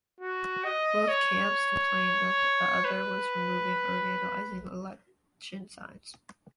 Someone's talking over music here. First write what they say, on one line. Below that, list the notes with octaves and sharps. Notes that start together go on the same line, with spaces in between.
Both camps complained that the other one was removing or vandalizing election signs.
F#4
D#5
C#5
B4